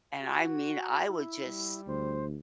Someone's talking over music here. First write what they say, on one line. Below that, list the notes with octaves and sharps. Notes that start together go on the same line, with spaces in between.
and I mean, I would just
F#4
E4
G3
D2 C5